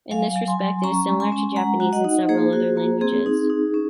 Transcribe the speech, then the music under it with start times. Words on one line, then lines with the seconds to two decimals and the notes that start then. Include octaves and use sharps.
In this respect it is similar to Japanese and several other languages.
0.11 F#3 F5 G#5
0.36 F#3
0.48 G#5 C6
0.59 F#3
0.84 C#4 A#5 C#6
1.08 G#3
1.20 G#5 C6
1.32 C#4
1.56 G#3 F#5 A#5
1.80 F#4
1.93 D#5 F#5
2.04 D#4
2.29 A#3 G#4 C5
2.53 F#4
2.77 A#3
3.01 C4 G#4
3.26 D#4
3.50 D#4
3.74 C#4